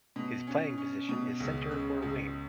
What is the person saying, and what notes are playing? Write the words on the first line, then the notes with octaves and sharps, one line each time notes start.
His playing position is centre or wing.
B2
C#4
C#4
B2
C#2
C#3
C#2